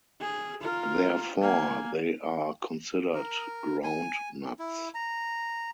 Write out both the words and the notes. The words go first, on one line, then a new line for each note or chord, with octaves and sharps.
Therefore, they are considered ground nuts.
G#4
F4 A#4
A#3 G#5
A#4
G#5
E4
A#5